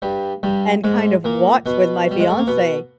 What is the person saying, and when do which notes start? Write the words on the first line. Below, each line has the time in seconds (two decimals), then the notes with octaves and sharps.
and kind of watch with my fiance
0.02 G2 G3
0.43 G2 G3
0.84 G#2 G#3
1.24 A#2 A#3
1.66 B2 B3
2.11 G3
2.20 G#3
2.30 A3
2.38 A#3
2.47 B2 B3